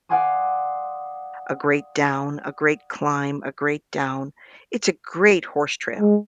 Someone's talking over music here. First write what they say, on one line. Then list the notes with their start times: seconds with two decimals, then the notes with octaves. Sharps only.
a great down, a great climb, a great down. It's a great horse trail,
0.09 D5 F5 F#5 G#5 C6 D#6
5.99 G#3